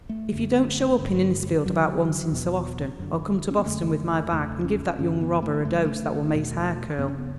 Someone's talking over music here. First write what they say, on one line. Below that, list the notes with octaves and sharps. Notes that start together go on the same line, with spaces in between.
"If you don't show up in Innisfield about once in so often I'll come to Boston with my bag and give that young robber a dose that will make his hair curl."
A3
F#2 D3
G2 D3
F#2 D3 F#3
E2 B2
F#2 D3
C#4
B3
F#2 D3 A3
E2 C#3 A3
C#4
G2 D3 C#4
B3
A3
F#2 C#3 A3
G3
A3
E2 B2
F#2 C#3 B3
C#4
B3